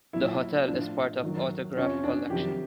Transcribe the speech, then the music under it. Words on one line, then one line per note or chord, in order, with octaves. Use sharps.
The hotel is part of Autograph Collection.
A#2 F#3 E4
A2 F3 D4
F#2 D#3 F#3
F2 C3 F3 C#4
D4
F2 C3 D#3 F#3 G4